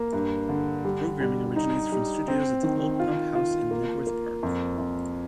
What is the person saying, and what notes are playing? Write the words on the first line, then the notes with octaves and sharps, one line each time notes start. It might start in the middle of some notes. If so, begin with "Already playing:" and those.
Programming originates from studios at the Old Pump House in Knebworth Park.
Already playing: A#3
G2
D3
G3
G3
D#4
G3
C4
D#3
F4
F4
A#3
A#3
F2
F2